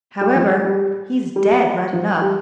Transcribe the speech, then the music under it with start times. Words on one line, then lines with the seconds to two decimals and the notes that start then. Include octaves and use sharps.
However, he's dead right enough.
0.21 G3
0.35 F3
0.49 G#3
0.65 G3
1.36 G3
1.93 F3
2.22 G3